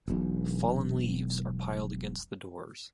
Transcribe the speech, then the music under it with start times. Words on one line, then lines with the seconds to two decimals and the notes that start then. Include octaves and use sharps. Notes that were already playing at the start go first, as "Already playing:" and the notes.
Fallen leaves are piled against the doors.
0.08 E1 B1